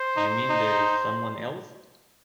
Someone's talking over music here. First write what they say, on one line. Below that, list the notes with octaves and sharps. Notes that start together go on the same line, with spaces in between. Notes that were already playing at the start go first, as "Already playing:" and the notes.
You mean there's someone else?
Already playing: C5
D#4
D#4